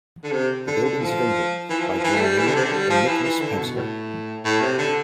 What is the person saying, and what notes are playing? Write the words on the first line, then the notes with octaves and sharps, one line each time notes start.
The Buildings of England by John Newman and Nikolaus Pevsner.
D3
C3
D3
D3
F3
E3
F3
E3
F3
E3
A3
G3
E3
D3
C3
D3
G3
F3
E3
E3
D3
B2
A2
A2
C3
D3